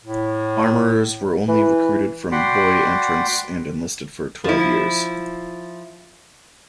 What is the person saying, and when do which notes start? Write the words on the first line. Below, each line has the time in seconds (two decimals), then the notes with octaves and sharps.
Armourers were only recruited from boy entrants and enlisted for twelve years.
0.05 A2
1.48 E3 B4
2.32 F#4 D5 F#5 G5 B5 C6
4.44 F3 E4